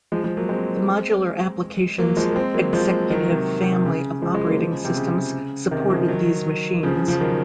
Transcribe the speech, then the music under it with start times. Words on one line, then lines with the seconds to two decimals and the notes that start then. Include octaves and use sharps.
The Modular Applications eXecutive family of operating systems supported these machines.
0.12 F3 G#3
0.24 F3 G#3
0.37 F#3 A#3
0.49 G#3 C4
1.98 F#3 A#3
2.17 F3 G#3
2.31 A#3
2.36 G#3 C4
2.54 F#3 A#3
2.73 F3 G#3
3.10 D#3 F#3
3.29 C3 D#3
3.60 C3
3.73 C3
3.85 C#3
4.22 F3 G#3
4.34 F3 G#3
4.47 F#3 A#3
4.59 F3 G#3
4.72 C#3
4.85 C3
4.97 C#3
5.71 C3 D#3
5.90 C#3 F3
6.08 D#3 F#3
6.83 C#3 F3
6.96 C#3
7.08 C#3 F3
7.21 D#3 F#3